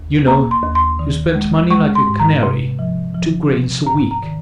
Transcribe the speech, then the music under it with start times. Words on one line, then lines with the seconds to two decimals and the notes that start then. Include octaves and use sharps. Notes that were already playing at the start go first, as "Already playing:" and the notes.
You know, you spend money like a canary, two grains a week.
Already playing: D#2
0.27 A#3 A#5
0.51 C6
0.63 D#2
0.75 C6
0.99 D#3
1.35 G#3
1.70 G#3 C#6
1.95 C6
2.07 G#2
2.20 A#5
2.43 C3
2.79 F3
3.14 F3
3.51 C3
3.86 G#2 A#5
4.11 A#5
4.23 D#3